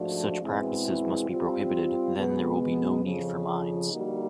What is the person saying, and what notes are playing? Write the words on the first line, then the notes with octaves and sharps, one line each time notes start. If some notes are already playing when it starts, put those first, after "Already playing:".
Such practices must be prohibited; then there will be no need for mines.
Already playing: G#2 F3 A3 D4 F#4
E2 B2 G#3 C4 E4
G3 C4 F4
B2 G#3 B3
F2 C#3 F3
D3 G3 A#3 D#4 F#4